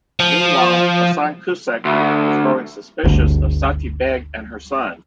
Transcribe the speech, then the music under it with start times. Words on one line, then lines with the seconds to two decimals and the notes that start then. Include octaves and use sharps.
Meanwhile, Hasan Kucek was growing suspicious of Sati Beg and her son.
0.20 F3
1.85 D2
3.04 G1 D2